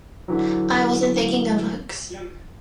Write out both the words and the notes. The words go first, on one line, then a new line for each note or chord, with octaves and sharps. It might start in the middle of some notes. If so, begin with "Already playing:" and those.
I wasn't thinking of hooks.
D3 E3 F#3